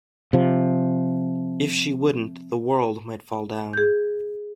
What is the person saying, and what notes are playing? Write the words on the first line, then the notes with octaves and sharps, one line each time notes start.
If she wouldn't, the World might fall down.
C3 F3
G#4 G6